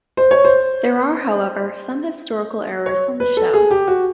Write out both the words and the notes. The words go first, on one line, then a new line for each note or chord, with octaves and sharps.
There are, however, some historical errors on the show.
C5
C#5
C5
C#5
B4
A4
G#4
G4
F#4